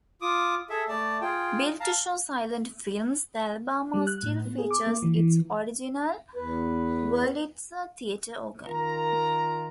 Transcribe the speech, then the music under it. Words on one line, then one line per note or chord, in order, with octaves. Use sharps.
Built to show silent films, the Alabama still features its original Wurlitzer theater organ.
F4 D6 D#6
G#4 A4 E5
A3 D5 A5
F4 G#4 G5
F5 A5 A#5
G3
F#6
A2
B3
G#4
D6
A#3
E3
E3
E2 B4
D#3 F4 A#4 A#5